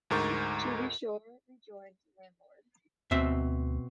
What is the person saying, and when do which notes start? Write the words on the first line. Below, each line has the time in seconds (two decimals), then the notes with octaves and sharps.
To be sure,’ rejoined the landlord.
0.10 D2 G#2 A#4 C#6 G6 A6
3.11 D2 B2 C4 E5